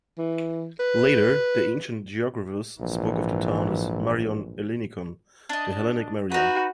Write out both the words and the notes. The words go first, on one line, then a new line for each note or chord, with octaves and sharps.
Later, the ancient geographers spoke of the town as "Marion Ellinikon"-The Hellenic Marion.
E3
B4
A#1 G#2 E3
D4 D#5
D#4 F#4 B4